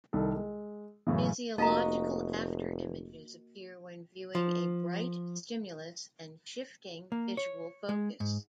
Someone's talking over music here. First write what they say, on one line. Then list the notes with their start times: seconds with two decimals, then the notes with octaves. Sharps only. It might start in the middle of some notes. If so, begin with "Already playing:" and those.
Physiological afterimages appear when viewing a bright stimulus and shifting visual focus.
0.13 C2 D#3 A4
0.36 G#3
1.07 F#2 A2 C#3 E3
1.58 F1 A#3 D#4 F#4 D#5 F5 A#5
4.35 F3
7.12 A#3
7.37 C#5
7.89 G#3
8.20 G#2